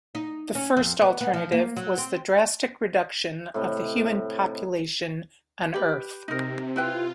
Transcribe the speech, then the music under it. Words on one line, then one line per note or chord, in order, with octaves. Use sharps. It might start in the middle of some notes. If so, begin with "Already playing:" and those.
The first alternative was the drastic reduction of the human population on Earth.
D#4
C#4
F2
B3
B3
F3
A#3
F#3
C4
A2 C3 E4 D#5
G4 B4
C3 D#4 A#4
E4 F4 B4 G5